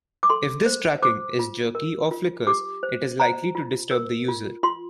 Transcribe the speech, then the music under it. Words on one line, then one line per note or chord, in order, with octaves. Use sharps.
If this tracking is jerky or flickers it is likely to disturb the user.
D6
A4 C6
C5
C5 D6
F4
A#4
F4
G4 D6
C5
C5 A#5
F4
A#4
F4
F4 C6